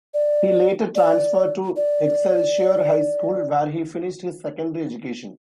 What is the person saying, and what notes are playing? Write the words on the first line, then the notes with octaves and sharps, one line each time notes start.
He later transferred to Excelsior High School, where he finished his secondary education.
D5
D5
D5